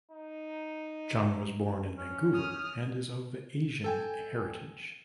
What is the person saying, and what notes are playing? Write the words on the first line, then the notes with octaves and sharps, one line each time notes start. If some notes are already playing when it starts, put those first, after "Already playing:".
Chung was born in Vancouver and is of Asian heritage.
D#4
C#4
D#6 F6
A4 G5 G#5